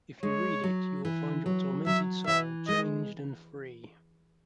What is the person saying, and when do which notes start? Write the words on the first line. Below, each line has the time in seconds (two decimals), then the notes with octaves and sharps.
If you read it, you will find your tormented soul changed and free.
0.23 G#3 C#5
0.63 F#3
1.05 E3
1.46 F#3
1.86 F#3 E5
2.27 E3 E5
2.68 G#3 D#5